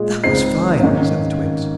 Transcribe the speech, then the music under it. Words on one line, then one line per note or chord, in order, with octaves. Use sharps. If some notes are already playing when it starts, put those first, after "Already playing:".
"That was fine," said the Twins.
Already playing: A#2 G#3
C#2 C#3 G#3 C4 D#4 C7
G#2 D#3 A#3 C#4